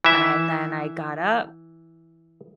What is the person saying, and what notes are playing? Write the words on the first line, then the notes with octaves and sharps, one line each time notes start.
And then I got up,
E3 E5